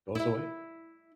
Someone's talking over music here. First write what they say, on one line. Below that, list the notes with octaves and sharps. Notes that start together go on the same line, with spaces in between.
goes away.
E4 E5